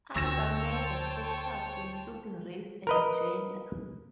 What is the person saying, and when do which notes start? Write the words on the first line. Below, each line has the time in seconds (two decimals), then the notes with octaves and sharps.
Other major factors include race and gender.
0.16 D2 C5 C#5 G5 A5 E6 A#6 E7
2.87 A#4 B4 D#5